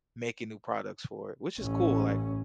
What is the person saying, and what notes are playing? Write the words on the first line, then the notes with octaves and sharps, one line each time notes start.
making new products for it, which is cool, like
A1 C#4